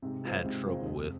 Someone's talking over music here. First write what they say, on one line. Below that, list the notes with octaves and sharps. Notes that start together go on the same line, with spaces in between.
had trouble with,
G#2 C3
G#3 F4 C5
G#2 C3
G#3 F4 C5
F2